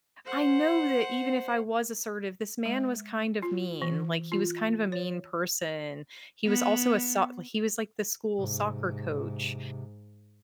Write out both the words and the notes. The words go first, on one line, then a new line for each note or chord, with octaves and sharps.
I know that even if I was assertive, this man was kind of mean, like, he was kind of a mean person. He was also a soc he was, like, the school soccer coach,
C5 F#5
G#3
F4
E3
F4
C#5
B3
G#2 C3